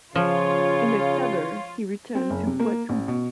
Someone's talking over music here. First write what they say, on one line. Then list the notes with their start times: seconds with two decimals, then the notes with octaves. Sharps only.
In October he returned to Poitou.
0.16 C#3 F3 F4 C#5
2.15 C4
2.30 F#1
2.47 C3
2.60 A#3
2.89 A1
3.08 B2